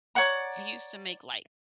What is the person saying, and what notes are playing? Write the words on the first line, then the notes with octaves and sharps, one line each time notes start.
He used to make, like
C#5 D5 F#5 A#5